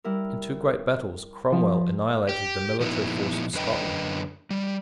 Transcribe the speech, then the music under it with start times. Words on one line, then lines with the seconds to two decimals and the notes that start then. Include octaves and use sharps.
In two great battles Cromwell annihilated the military force of Scotland.
0.04 G3 E4 A#4
1.52 F3
2.29 G4
2.80 A#2 F3 B3 D#4 E4
3.54 F#2 D3 B4 D#5 G5
4.50 G3